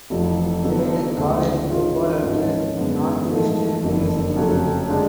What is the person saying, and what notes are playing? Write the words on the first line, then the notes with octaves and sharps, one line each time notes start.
He played college football at Northwestern University.
F1 F2 F3
F2 D3 F#3 B3
D2 C#3 G#3 D4
G#2 G#3 C#4 F4
G#1 G#2 F3 G#3 C#4
F#2 D3 G#3 B3
G#2 F3 A3
F#1 F2 D3
F2 C#3 F#3 A3
D3 G#3 D4